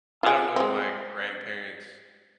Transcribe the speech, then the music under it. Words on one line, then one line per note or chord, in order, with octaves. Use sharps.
I don't know who my grandparents'
F4 G#4
G#3 C4